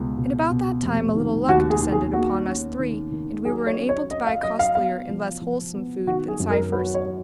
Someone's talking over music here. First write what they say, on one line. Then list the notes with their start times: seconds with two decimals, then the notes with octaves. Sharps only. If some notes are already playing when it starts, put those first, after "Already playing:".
And about that time a little luck descended upon us three, and we were enabled to buy costlier and less wholesome food than Cypher's.
Already playing: C#2 B2
0.17 B2
0.50 B2
0.82 F1
1.15 D#3
1.48 D#2 F#4
1.70 G#4
1.81 D#3
1.92 G#4
2.13 A#3 F#4
2.46 C#4
2.79 D#3
3.12 D#3
3.45 F#3 G#4
3.67 C#5
3.77 C#4
3.89 C#5
4.11 C#4 D#5
4.27 F5
4.43 F#3 D#5
4.59 F5
4.75 B3 F5
5.09 F3
5.41 F3
5.74 B3
6.07 D#3 F#4
6.28 G#4
6.40 F#2
6.51 A#4
6.72 F#3 B4
6.94 C#5
7.05 F#3